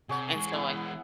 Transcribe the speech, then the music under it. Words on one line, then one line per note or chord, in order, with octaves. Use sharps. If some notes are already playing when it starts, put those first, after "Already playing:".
And so I
C3 G#4 C#5 F#5
E3 G#3
B3 E4